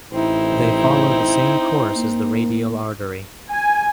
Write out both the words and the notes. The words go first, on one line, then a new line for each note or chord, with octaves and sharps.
They follow the same course as the radial artery.
A1 C4 D#4 E4
A#3
G#5